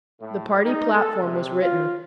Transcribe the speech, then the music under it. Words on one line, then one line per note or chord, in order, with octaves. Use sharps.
The party platform was written.
A2
D#4
A4
C3
F4